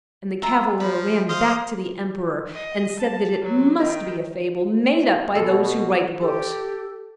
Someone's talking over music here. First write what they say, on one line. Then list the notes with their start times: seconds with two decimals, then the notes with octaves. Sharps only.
And the Cavalier ran back to the Emperor, and said that it must be a fable made up by those who write books.
0.42 F4 E5 A#5
0.80 F3 B5
1.29 C5 D#5 F5 D#6
2.53 D#5
3.01 A5
3.43 F#3
3.80 D#3 D#5 G5
5.35 B2 A4
6.21 G4 A4